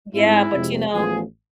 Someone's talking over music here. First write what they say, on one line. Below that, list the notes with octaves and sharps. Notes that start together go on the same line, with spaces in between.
Yeah, but, you know,
G#2 G#3 C4 E4
F2 C3 G#3 C4
A1 A2 F3 B3 G#4